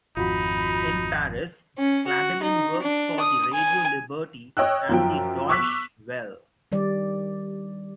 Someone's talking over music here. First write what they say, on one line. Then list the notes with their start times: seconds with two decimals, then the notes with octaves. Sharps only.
In Paris, Gladilin worked for the Radio Liberty and the Deutsche Welle.
0.17 G#1 F2 D#4 F4 F#4 B5
1.78 C#4
2.07 F#4
2.43 D#4
2.82 D4
3.20 D#6
3.54 G#5
4.57 C#5 D#5 G5 E6 F#6
4.89 F#2 F3 G5
5.49 C#6 D6 E6 F#6 B6
6.72 D#3 G3 D5